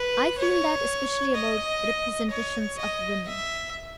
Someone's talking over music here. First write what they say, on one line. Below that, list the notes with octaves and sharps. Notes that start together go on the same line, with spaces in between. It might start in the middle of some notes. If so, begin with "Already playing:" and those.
I feel that especially about representations of women.
Already playing: B4
C#5
D#5
C#5
D#5
E5